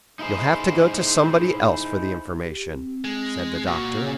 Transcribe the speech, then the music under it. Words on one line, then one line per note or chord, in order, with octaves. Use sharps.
"You'll have to go to somebody else for the information," said the Doctor.
D#4 E4 G#4 C5
G4
C4
G#3
A#2 F#4
C#3 C#4